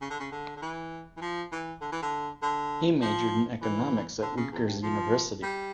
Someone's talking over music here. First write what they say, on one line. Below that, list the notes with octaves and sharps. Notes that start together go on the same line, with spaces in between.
He majored in economics at Rutgers University.
C#3
D3
C#3
D3
D3
E3
E3
F3
E3
D3
E3
D3
D3
F3
E3
D3
C#3
E2
G2
F3
G3